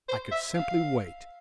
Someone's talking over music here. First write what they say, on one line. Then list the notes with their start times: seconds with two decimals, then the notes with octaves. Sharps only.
I could simply wait.
0.09 C5
0.32 E5
0.55 F5